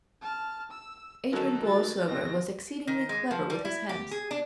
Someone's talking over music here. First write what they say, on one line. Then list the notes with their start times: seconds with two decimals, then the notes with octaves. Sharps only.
Adrian Borlsover was exceedingly clever with his hands.
0.22 A5 F6
0.70 E6
1.32 D3 D#3 F#3 A4 C5
1.66 A6
2.08 B2 D#3 C4 A#6
2.87 D#3
3.09 G#3
3.31 F3
3.50 G3
3.65 E4
3.89 G4
4.11 G#4
4.31 D4